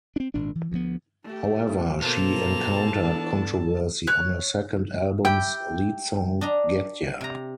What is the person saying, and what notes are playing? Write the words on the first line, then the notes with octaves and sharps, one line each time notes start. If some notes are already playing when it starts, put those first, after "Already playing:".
However, she encountered controversy on her second album's lead song Get Ya!
C4 D4
G#1 A#2 D4
E3
D2 F3 B3
A3 G4
B2 A#3 A4 A#4 C5 A5 F7
E3 B3 D4
C#5 F6 F#6
E4 G4 G5
D4 D#5 A#5
C3 A#5